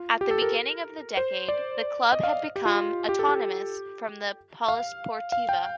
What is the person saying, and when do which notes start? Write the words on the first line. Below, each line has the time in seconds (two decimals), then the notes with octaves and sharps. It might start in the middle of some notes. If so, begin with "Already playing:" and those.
At the beginning of the decade, the club had become autonomous from the Polisportiva.
Already playing: F4
0.21 G4
0.31 A4
0.42 A#4
1.17 C5
1.48 D5
2.13 D#5
2.23 F5
2.56 G4
2.66 F4
3.09 G4
3.19 A4
3.29 G4
4.68 F5
5.32 F5
5.49 G5